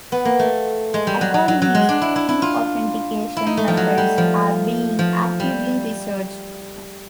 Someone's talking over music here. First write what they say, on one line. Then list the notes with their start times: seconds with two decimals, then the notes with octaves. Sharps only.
Accordingly, key authentication methods are being actively researched.
0.12 B3
0.25 A#3
0.39 A3
0.94 G#3
1.07 G3
1.21 F#3
1.34 F#3
1.48 F#3
1.62 F#3
1.75 G#3
1.89 D4
2.01 E4
2.16 E4
2.29 E4
2.42 F4
3.37 E4
3.47 D#4
3.57 A3
3.68 F3
3.77 F#3
3.98 G3
4.18 F3
4.99 F3
5.40 G3